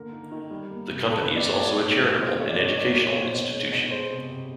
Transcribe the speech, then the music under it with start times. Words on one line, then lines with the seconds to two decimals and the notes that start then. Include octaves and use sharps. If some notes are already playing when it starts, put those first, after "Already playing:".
The Company is also a charitable and educational institution.
Already playing: D3 A#3 A#4
0.12 D#3
0.32 D#3
0.51 G3
0.70 A#3
0.89 C3
1.08 A3 A4
1.21 B4
1.27 A2
1.36 D5
1.45 A2 C#5
1.59 D5
1.64 A3 C#5
1.83 A2
2.02 A2
2.21 B2 C5
2.35 C#5
2.40 G#3
2.49 D5
2.59 B2 C#5
2.78 A#3 D5
2.91 C#5
2.96 A#2
3.06 C#5
3.16 A#2
3.21 C5
3.34 B2 C#5
3.53 G#3
3.72 B2
3.91 G#3 C5
4.09 C3
4.29 C3